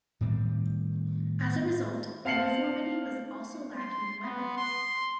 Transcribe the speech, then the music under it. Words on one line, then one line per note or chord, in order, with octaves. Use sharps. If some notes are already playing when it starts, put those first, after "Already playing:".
As a result, uniformity was also lacking in weapons.
A2 D#3 G3 C4
C4 F5 A5 C7 C#7 F#7
C6
B3
C6